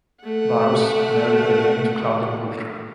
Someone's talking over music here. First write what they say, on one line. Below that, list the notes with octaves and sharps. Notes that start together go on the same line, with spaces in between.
Varus married again to Claudia Pulchra.
A3 F#5